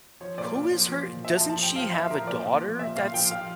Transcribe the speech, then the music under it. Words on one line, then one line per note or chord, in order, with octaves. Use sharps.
who is her doesn't she have a daughter that's
F3 C#5
A#2 D5
A#2 D5
F3
F3
A#2
F3 E5
A5
F3
A5
F3 G5
F3 F5
F3 E5
F3 A#4
A#2 D5
A#2
F3
A#2 E5
A#2 F5
F3 G5
F3 F5